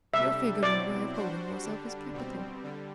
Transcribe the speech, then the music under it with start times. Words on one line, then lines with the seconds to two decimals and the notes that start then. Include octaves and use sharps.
Your figure and way of holding yourself is capital.
0.13 C3 G3 D4 A4 E5
0.63 B2 F#3 C4 E4 D5
1.13 G3 D4 F#4 C5
1.63 D3 G3 D4
2.13 B2 G3 C4
2.63 D3 G3